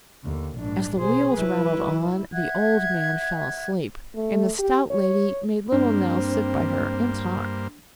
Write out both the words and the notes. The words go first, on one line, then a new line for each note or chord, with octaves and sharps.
As the wheels rattled on the old man fell asleep, and the stout lady made little Nell sit by her and talk.
D#2 D3
A#1 G#2 D4
B2 G#4 C5
F#3 E4 B4
E5 F#5 F#6 G#6
A3
G4
C#5
G2 A#3 C4 D4 C5